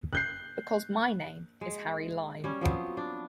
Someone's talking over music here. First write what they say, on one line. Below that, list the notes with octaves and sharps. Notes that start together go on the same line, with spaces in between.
Because my name is Harry Lime.
F#6 G6 C7
G#3
G3 C#4
F3 F#3 B3 C4
D4